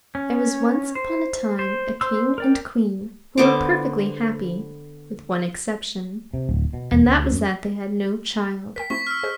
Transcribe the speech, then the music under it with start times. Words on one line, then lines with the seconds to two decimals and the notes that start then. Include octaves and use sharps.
There was once upon a time a King and Queen who were perfectly happy, with one exception, and that was that they had no child.
0.15 C#4
0.95 C5
1.59 C5
2.01 C5 C6 E6
2.38 A#4 D5 G5
3.38 D3 B3 C5 D6
6.34 C3
6.49 D1
6.73 B2
6.92 E1
7.03 D2
7.31 F#2
8.76 A#4 G5 B6
8.90 A3 C4 E4 C#6 B6
9.07 E6 F6
9.23 G#4 C5 D#5